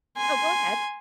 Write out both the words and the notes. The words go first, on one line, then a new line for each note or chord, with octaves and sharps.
Oh, go ahead.
G#5 C6